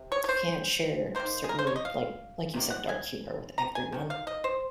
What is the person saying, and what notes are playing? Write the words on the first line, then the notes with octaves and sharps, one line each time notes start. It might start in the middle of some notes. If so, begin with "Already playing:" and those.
you can't share certain, like like you said, dark humor with everyone,
Already playing: C3
C#5
C#5
C5
D#3 F#3 A#3 C5
G#4
A#4
C5
C#5
D#5
F5
C3 D#3 A#3
F#5
G#5
A#5
G#5
D#3 F#3
F5
D#5
C5